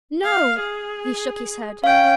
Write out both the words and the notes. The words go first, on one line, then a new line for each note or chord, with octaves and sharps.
"No," he shook his head.
F5
G#4
C#4 F5 G5